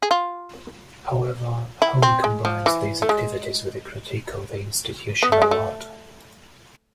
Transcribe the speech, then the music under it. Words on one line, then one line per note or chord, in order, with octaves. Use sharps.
However, Home combines these activities with a critique of the institution of art.
G#4
F4
E4
C4
G#3
F3
E3
A3
G#3
B3
A3
G#3
A3